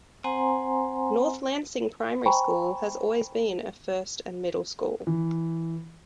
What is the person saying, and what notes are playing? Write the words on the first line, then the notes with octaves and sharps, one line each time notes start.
North Lancing Primary School has always been a first and middle school.
C4 C5 F#5 G#5 A#5 C6
C5 G5 G#5 A#5 B5 C#6
E3